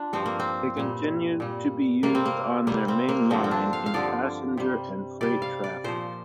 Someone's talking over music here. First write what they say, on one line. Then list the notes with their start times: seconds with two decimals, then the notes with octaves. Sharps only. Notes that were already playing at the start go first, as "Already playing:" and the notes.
They continued to be used on their main line in passenger and freight traffic.
Already playing: D4 F4
0.13 G2 F3 C4
0.26 A#3
0.40 C4
0.77 A#2 G3
1.40 A#2 G3
2.03 C3 G3 A#3
2.15 C4
2.26 A#3
2.67 C3 G3 A#3
2.88 C4
3.09 A#3
3.30 G2 D3 F3 C4
3.44 C4
3.51 D4
3.73 F5
3.86 F5
3.94 G2 D3 F3 D5
4.57 C3 G3
5.21 C3 G3 D5
5.42 F5
5.64 D5
5.84 A#2 F3 C5